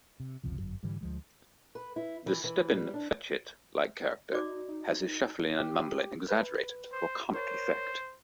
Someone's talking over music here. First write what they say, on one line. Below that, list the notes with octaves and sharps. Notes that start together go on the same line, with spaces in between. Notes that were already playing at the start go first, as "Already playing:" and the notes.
The Stepin Fetchit-like character has his shuffling and mumbling exaggerated for comic effect.
C3
F#1 C#2 C3 F3
G1 F#2 F#3
G#2 D3 E3 G3
D2 F3 G#3
B4
E4
E3
E3
G3
D4
D#4 F#4 D5 D6
D#4
G4
B4
C5
A#4 C5 C#5